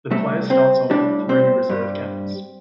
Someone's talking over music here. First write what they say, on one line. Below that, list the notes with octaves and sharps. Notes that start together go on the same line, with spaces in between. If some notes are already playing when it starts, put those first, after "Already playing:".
The player starts off with three reserve cannons.
C3 G3 A3 A4
C4 C5
A2 G3 D4 D5
C4 C5
G2 G3